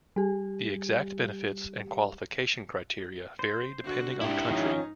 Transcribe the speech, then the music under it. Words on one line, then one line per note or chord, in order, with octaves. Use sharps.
The exact benefits and qualification criteria vary depending on country.
G3 G4
C5
D3 F#4
G#2 D4 E4 G4
D#3 F3 C#4 D#4